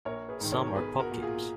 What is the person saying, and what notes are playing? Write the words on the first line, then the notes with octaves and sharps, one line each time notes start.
Some are pub games.
A#1 A#4 C#5
G#4 B4
G#2 D#3
A#4 C#5
A#4
B1 G#4 B4
F#4 A#4
A#2
F4 G#4